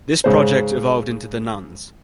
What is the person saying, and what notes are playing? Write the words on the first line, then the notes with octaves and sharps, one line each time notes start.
This project evolved into The Nuns.
G#2 C#3 C5